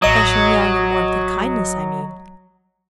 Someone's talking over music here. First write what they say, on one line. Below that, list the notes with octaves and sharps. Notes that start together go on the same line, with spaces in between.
'Fresh and young in warmth and kindness, I mean.
A1 F#3 D#5 D#6